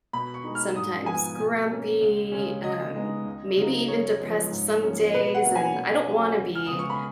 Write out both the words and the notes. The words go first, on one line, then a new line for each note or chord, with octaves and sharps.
sometimes grumpy, um, maybe even depressed some days, and I don't want to be
B2 B5
C#6
G#3 D#4
F6
G#2 D#6
F3 B3 G#5
B2
A#3 C#4
C#2
C#3 G#3 C#4
C#3 D#5
G#3 B3 D#4
C#2
C#3 F#3 B3 D#4
F#2 C#5
F3 G#3 B3
G#2
F3 A#3 C#4
B2 B4
F#5
F#3 A#3 C#4
G#5
B2
F#3 C#4
C#2
F6
C#3 G#3 B3 D#6
C#6
B5